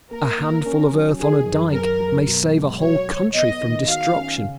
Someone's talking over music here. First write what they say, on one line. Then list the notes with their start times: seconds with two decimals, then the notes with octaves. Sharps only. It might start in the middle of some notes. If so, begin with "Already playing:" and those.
A handful of earth on a dike may save a whole country from destruction.
0.11 A#3 A#4
0.38 A#3
0.66 C#4
0.92 F#3
1.19 D#3 G#4
1.45 F#2
1.72 F#2 A#4
2.00 F#2
2.27 B2
2.54 G#3
2.80 F#3 C#5
3.08 F#3
3.34 B3 D#5
3.61 D#3
3.88 F#4 F5
4.15 C#4
4.42 C#3